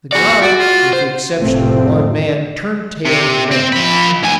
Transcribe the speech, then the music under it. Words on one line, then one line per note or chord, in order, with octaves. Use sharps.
The guard, with the exception of one man, turned tail and ran.
F#4 G#4 D5
F#4 D5
F4
C5
F1 A2 C3 F3 A3 C4
C3
C4
F3 B5
D2 G#5